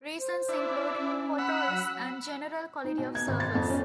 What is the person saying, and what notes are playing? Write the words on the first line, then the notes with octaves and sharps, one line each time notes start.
Reasons include potholes and general quality of surface.
C5
D4 E4
C#4
F#5 B5 E6
F#3
D#4
B2
G#6
G#1
A6
F2
C#4